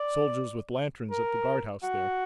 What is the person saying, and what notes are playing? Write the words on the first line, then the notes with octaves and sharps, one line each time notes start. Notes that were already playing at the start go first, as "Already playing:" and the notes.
Soldiers with lanterns, at the guard-house there.
Already playing: D5
A#4
F#4